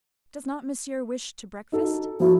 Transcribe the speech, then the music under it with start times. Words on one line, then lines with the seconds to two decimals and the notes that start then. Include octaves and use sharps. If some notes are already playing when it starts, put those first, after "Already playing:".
"Does not Monsieur wish to breakfast?"
1.72 D#4 F#4 A4
2.20 F3 E4 F#4